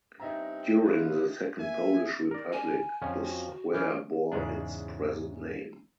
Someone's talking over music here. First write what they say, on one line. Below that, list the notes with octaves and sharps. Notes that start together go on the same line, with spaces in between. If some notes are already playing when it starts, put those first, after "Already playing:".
During the Second Polish Republic the square bore its present name.
G2 C4 C#4 D#4 E5 A#5
F4 B4
A#3 E5 G#5
A#4 D5
G#5
F2 F3 C#4
F#4
E3 G#4 F6
E2 G#2 C#3 G#3 D4